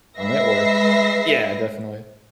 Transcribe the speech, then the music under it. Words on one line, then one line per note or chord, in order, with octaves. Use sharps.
um, it worked. Yeah, definitely.
G#3 B4 E5 A#6 C7